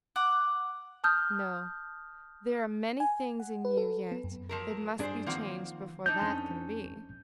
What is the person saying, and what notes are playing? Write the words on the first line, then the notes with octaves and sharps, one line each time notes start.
No; there are many things in you yet that must be changed before that can be.
F#5 D6
A5 D#6 F6 G6
G#5
F#5
B4
A4
B3
F#2
F3 F#3 A#4
G2 D4 G#4 B4 C5
D#3 F3 A#3 C4 F#5
D4 D#4 G6
F2 C#4